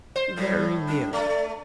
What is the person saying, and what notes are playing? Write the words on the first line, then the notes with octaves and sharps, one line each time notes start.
"Very nearly."
C5
A2 G3
D4
A3 D5